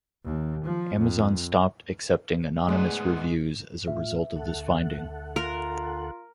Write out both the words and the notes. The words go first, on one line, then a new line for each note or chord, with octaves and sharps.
Amazon stopped accepting anonymous reviews as a result of this finding.
D#2
F3
F2
G#2 G#3 A3 B3 G#4 D5
A2 F4 E5
D2 A4 F#5
F4 A#4